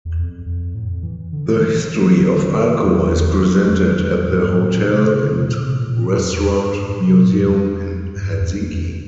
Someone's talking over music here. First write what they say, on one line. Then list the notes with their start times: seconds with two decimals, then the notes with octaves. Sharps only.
The history of Alko is presented at the Hotel and Restaurant Museum in Helsinki.
0.05 E2
0.18 F2
0.46 F2
0.75 A2
0.89 F2
1.03 E3
1.32 D3
1.46 E3
1.61 E3
1.75 E3
1.88 E3
2.17 D3
2.46 D3
2.65 E3
2.84 F2
3.03 E2
3.32 F2
4.17 F2
4.27 A2
4.37 G2
4.56 A2
4.74 A2
4.88 C3
5.02 D3
5.13 C3
5.17 D3
5.31 C3
5.46 A#2
5.59 C3
5.75 A#2
5.89 A#2
6.03 A2
6.17 F2
6.31 E2
6.46 F2
6.65 G2
6.83 A2
7.02 C3
7.17 A#2
7.31 G2
7.45 F2
8.16 G2
8.40 E2
8.45 F2
8.73 F2